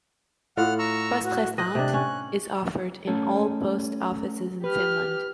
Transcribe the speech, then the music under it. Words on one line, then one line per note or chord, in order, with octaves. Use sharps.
"Poste restante" is offered in all post offices in Finland.
A2 F4 F#5 F6
A#5 C#6 E6
F#4
D#5 F#6
C3 D4
C#4
A3 C#4 A4
G4 B4 F6